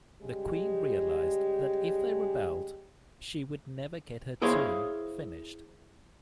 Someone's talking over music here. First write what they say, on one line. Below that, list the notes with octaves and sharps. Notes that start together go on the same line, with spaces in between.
The Queen realized that if they rebelled, she would never get her tomb finished.
C#3 G3 G#3 G4
E4 G#4 C5 C#5 F5